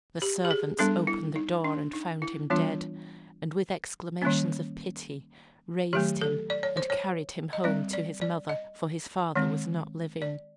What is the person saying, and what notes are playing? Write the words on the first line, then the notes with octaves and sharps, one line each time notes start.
The servants opened the door and found him dead, and with exclamations of pity raised him and carried him home to his mother, for his father was not living.
G4
G4
G#4
G3 B3 D4 A4
E4
D#4
D4
D#4
E4
E3 G3 B3 D4 F4
D#3 G3 A#3 C#4
D#3 F#3 A3 G4
A4
D5
C#5
C5
C#5
D#5
G3 C4 D5
D5
D5
D#5
D#3 G#3 C4
D5